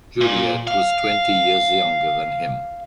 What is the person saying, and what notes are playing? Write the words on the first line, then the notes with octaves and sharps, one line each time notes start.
Juliette was twenty years younger than him.
A#2
F5